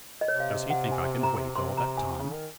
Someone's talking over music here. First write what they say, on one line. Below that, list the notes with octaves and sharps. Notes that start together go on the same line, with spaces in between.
"Does he think I can wait all that time?"
D#5
C3 C#5
F5
D#5
F#5
G#5
A#5
C3 C6
A#5
G#5
C#3
D#3